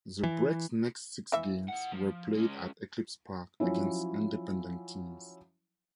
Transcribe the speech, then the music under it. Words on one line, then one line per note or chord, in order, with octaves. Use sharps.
The Brecks next six games were played at Eclipse Park against independent teams.
E3
E3 E5
A#2 F#5
F3
G#3 C#4
F3 F#3 C#4 E4